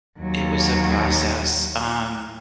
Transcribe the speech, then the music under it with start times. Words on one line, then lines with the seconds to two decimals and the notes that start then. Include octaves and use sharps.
It was a process, um
0.20 D#2 F#3